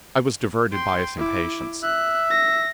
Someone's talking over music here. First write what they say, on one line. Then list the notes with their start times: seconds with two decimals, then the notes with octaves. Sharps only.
I was diverted by his impatience.
0.72 G5 C6
1.17 E4 D6
1.83 E5 F#6
2.31 A#6